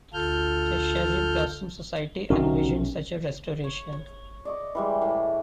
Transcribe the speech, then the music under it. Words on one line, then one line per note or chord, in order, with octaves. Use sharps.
The Cherry Blossom Society envisioned such a restoration.
D2 F4 A4 F6 G6
B1 C3 C#4 D#4 F#4 A#4
C#5
C#5
D5 D#5 C#6
E3 G3 G#3
A2